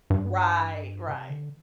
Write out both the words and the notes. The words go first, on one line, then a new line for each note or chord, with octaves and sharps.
Right, right.
G2
C3
D3